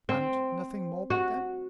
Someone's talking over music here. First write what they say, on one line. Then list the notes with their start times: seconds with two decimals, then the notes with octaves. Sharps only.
"And nothing more but them?"
0.09 C4
1.10 F#4